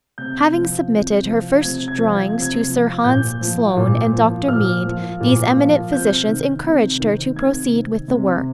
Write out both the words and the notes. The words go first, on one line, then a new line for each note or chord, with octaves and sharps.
Having submitted her first drawings to Sir Hans Sloane and Dr Mead, these eminent physicians encouraged her to proceed with the work.
C3 G6
F3
C3
F3
C3 G#6
G#6
F3
G#6
C3
G#6
F3
A#2 G6
F3
A#2
F3
A#2 F6
F3
A#2
F3
C3 G6
D#3
C3
D#3
C3 G#6
D#3
C3